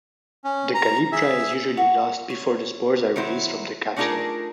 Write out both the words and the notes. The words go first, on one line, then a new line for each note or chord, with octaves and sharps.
The calyptra is usually lost before the spores are released from the capsule.
C#4
A#5
G#4 E5
F#4
C#5
D#3 F#3 E4 C5
A3 D4 D#4 F4 G#4 A#4